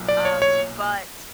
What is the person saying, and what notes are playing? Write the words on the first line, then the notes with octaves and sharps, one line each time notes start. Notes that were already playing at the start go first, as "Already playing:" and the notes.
Um, but
Already playing: B1 A#2 F#3
D5
C#5
C#5